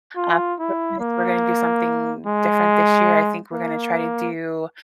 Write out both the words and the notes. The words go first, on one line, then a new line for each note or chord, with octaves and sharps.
Um, for Christmas, we're gonna do something different this year. I think we're gonna try to do
F4
E4
A#3
G#3
A#3